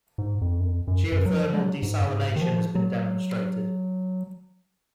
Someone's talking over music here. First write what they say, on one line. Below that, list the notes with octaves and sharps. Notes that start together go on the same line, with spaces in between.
Geothermal desalination has been demonstrated.
G#2
F2
F#2
F2
F#2
F#2
F#3
F3
G#3
F#3
G#2
F#2
G#2
D#3
F3
F#3